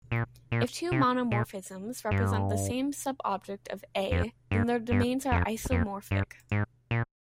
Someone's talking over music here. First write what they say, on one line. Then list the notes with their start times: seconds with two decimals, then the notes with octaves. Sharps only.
If two monomorphisms represent the same subobject of "A", then their domains are isomorphic.
0.12 A#2
0.52 A#2
0.92 C3
1.32 A#2
2.11 G2
4.11 F2
4.51 G2
4.91 G2
5.32 F2
5.71 F2
6.11 G2
6.52 G#2
6.91 A#2